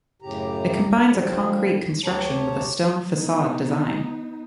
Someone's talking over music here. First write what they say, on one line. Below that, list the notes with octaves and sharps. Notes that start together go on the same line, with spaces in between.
It combines a concrete construction with a stone facade design.
F#2 A2 C#3 G4 A#5
D3 F3 G3
D2 G4 C#5 A5 A#5
B3 D#4